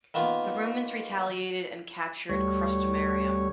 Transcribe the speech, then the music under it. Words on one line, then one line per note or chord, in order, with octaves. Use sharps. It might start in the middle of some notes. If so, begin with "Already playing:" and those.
The Romans retaliated and captured Crustumerium.
D#3 A#3 B3 F4
D2 G3 C#5